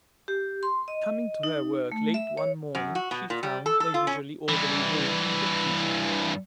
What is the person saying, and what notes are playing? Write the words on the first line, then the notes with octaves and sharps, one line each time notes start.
Coming to her work late one morning, she found the usually orderly room in confusion.
G4
C6
D#5
D#4
A3
E5
C#5
F#2
F#4
B2
A#2
G3
A4
A4
F4
C#4
G2 E3